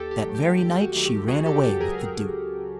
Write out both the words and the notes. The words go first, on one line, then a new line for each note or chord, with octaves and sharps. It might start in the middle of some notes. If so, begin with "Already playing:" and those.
That very night she ran away with the duke.
Already playing: D#2 G4 A4
G4
D#3 F#3 A3
G4
D#2 G4
F#4
D#3 F#3 A3
G4
C#2 F#4 G#4
G4 A4
C#3 F#3 G4 A4
G#4 A#4
G#4 A#4